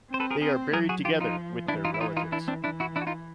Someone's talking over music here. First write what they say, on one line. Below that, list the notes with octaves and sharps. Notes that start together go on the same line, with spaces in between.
They are buried together with their relatives.
C4 C5
A4 B4
G#4 A#4
C4 G#4 A#4
F#3 G#4 A#4
F#4 G#4
F3 F4 G4
D#4 F4
E3 D4 E4
D#4 F4
E4
D#4 F4
D#4 F4
D4 E4
C4 D4
E3 D4 E4
E4 F#4
D4 E4
F#4
D#4 F4